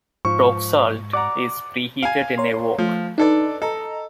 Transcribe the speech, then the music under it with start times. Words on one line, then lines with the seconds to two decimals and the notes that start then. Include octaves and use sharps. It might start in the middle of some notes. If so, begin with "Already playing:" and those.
Rock salt is preheated in a wok.
0.25 G#2 F3 C#6
1.13 D5 F#5 A#5 D6
2.03 F5 G#5
2.38 C#5 A#5 C6
2.78 F3 A3
3.18 D4 D#4 A4 B4 D5
3.62 A4 D#5 A#5